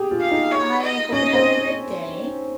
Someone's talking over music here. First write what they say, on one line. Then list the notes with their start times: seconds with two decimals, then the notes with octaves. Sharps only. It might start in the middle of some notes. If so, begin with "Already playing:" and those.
I hope you're having a great day.
Already playing: G4 G#4
0.11 F4
0.21 F5
0.32 D#4
0.52 C#5
0.82 D#5
1.12 C#4 D#5
1.33 C4